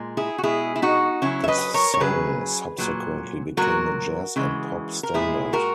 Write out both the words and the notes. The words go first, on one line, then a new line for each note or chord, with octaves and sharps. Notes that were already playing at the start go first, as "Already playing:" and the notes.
The song subsequently became a jazz and pop standard.
Already playing: A#2 G#3
E4 G#4
F#4
B2 G#3 E4 G#4
E4
D#4 F#4
C#3 F#3 C#4 E4
E5
B4 D#5
A#4 C#5
C#5
C#3 F#3 G#4 B4
A#2 F#3
A#2 F#3 F#4 A#4
C#3 E3 G#3
A#4
A#2 G#3 E4 G#4
F#4 A#4